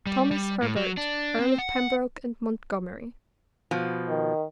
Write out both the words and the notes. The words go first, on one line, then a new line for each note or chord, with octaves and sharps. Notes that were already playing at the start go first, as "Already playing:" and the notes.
"Thomas Herbert, Earl of Pembroke and Montgomery."
G3
G3
A2
F#3
D4
C4
F#5
B2 F3
D#3